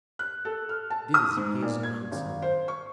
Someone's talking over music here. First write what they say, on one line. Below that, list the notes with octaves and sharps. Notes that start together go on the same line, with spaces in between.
This is his grandson.
F#6
A4
F6
A5
D#6
G#2
A#2
G#6
G#1
C5
C#6